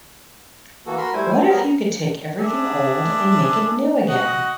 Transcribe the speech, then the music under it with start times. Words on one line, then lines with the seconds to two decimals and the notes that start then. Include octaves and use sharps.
What if you could take everything old and make it new again?
0.86 E3 A#3 F#4 A4
0.98 F#4 A#4 B5 C6 F6
1.13 G3 A3 E4 C5 G#5
1.36 C4
1.50 F#3 G3 B3 G#4 A#4
2.39 D4 G#4 E5
4.08 F#4 D#5 F#5